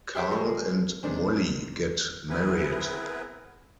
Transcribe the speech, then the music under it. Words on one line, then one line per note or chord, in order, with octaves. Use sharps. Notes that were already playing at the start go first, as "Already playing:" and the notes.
Carl and Molly get married.
G4 G#4 C#5 E5 F#5 G5
F3 G3 G#3 G#4 A4
C3 D#3 D4 G#4 C5
B3 C4 E4 G#4 A#4 B4